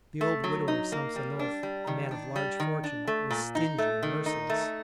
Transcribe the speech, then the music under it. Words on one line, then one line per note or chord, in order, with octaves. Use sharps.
The old widower Samsonov, a man of large fortune, was stingy and merciless.
A3
F#3
D#4
A#3
G3
D4
G3
D#3
D4
G3
D#3
D4
A3
A#2
D#4
A3
D#3
D#4
A3